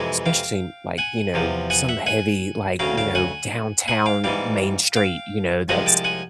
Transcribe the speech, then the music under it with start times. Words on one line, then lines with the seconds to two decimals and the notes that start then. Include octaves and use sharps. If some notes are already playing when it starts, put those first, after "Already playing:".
Especially, like, you know, some heavy, like, you know, downtown Main Street, you know, that's
Already playing: F2 C3 E3 G#3
0.26 F5 G5
0.98 F#5 G#5
1.34 E2 C3 F3
1.70 F#5 G#5
1.89 E5 F#5
2.06 F#5 G#5
2.79 D2 C#3 F#3 F5 G5
2.98 F5 G5
3.15 F#5 G#5
3.88 F#5 G#5
4.06 F5 G5
4.24 G#2 E3 G3 F5 G5
4.96 F5 G5
5.69 C2 C3 F3 G#3 F#5 G#5
5.86 G5 A5
6.04 F#5 G#5